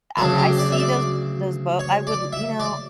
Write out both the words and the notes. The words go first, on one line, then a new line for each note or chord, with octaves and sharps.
I I see those those boat I would l you know,
D2 C#3 F#3 A4
G4
D5
E5
D5
C#5
D5
E5
D5